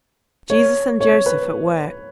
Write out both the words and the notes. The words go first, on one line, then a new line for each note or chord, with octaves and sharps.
Jesus and Joseph at work!
C#5
C#5
B4